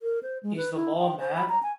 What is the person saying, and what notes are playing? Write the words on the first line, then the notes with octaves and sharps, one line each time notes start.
Is the law mad?
A#4
C5
G#3
B4
E4
G5
C5
B5
A#5
G#5